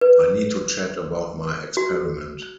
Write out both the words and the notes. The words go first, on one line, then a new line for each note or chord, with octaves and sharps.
I need to chat about my experiment.
B4
F#4